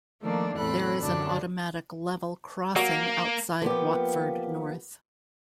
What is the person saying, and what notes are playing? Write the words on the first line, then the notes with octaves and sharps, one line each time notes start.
There is an automatic level crossing outside Watford North.
D#3 F3 A3 A#3 D4
E2 A2 C4 A4 B5 F#6
F#2 D3 F#3 D4 F#6
F#3 A#3 A#4 F#5
F3 A#3 B3 G4